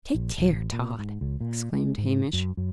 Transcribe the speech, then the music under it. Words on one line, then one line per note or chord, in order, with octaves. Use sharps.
"Take care, Tod!" exclaimed Hamish.
A#1
D#1
A1
A#2
G#2
C#2
A#2
G#3
G#2
F#2
F#2